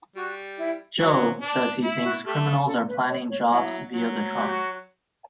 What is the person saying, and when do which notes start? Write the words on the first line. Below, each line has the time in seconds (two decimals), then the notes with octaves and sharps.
Joe says he thinks criminals are planning jobs via the Trump.
0.16 G3 F#4
0.58 E4
1.00 F#3 F#4
1.41 D4
1.84 E4
2.04 F#4
2.25 A3 G4
2.46 A4
2.67 A4
2.88 B4
3.09 C#5
3.30 C#5
3.51 F#3 E4
3.93 F#3
4.35 F#4
4.41 G4
4.49 F#4